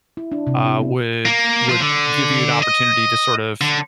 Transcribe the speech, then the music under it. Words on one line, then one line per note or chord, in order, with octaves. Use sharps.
uh, would would give you an opportunity to sort of
E4
D4
C3
E4
B3
A#3
F4 C5
D3
D#5
D3